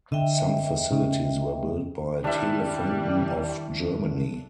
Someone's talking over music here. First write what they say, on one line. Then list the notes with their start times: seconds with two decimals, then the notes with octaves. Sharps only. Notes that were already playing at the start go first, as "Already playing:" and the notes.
Some facilities were built by Telefunken of Germany.
0.12 D3 D#5 E5 G5
0.92 C#3
2.24 D#3 G3 D4 E4 E5